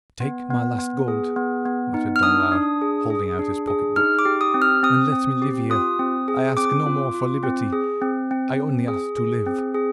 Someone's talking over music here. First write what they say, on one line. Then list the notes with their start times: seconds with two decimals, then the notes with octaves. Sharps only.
"Take my last gold," muttered Danglars, holding out his pocket-book, "and let me live here; I ask no more for liberty--I only ask to live!"
0.20 B3
0.51 B3
0.79 B3
1.08 G#4
1.36 B3
1.65 B3
1.94 D#4
2.16 F6
2.23 D4 D#6
2.52 D4
2.81 G#4
3.10 G#4
3.39 D4
3.67 G#4
3.96 D#4 F6
4.19 D6
4.25 G4
4.41 D#6
4.54 C4
4.62 F6
4.83 C4 D#6
5.12 C4
5.42 G4
5.70 F4 D#6
5.99 C4
6.28 G#4
6.57 C4 D6
6.86 F4
7.14 F4
7.43 C4
7.73 G#4
8.02 C4
8.31 C4
8.59 C4
8.88 G#4
9.17 G#4
9.47 C4
9.74 G#4